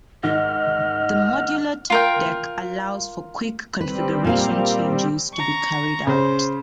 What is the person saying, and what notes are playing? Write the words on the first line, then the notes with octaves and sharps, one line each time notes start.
The modular top deck allows for quick configuration changes to be carried out.
G#2 D#3 D#5 F#5 F6
F4 A#4 G5
G3 C4 B4
A#2 A#4 F5
A#5 C#6
C#3 C5